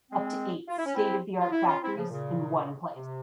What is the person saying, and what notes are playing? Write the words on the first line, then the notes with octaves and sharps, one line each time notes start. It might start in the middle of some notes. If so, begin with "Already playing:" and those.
Up to eight state-of-the-art factories in one place.
G#3 C4
F4
E4
C#4
C4 E4
F4
E4
C#4 F4
C4 E4
C#3 F3
A#2 C#3
C3